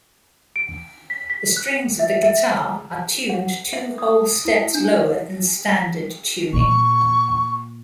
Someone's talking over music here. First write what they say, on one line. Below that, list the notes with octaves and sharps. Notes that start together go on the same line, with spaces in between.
The strings of the guitar are tuned two whole steps lower than standard tuning.
D7
B6
B6
F#6
E5
E5
F#5
E5
D#6
E4
D4
A#2 C#6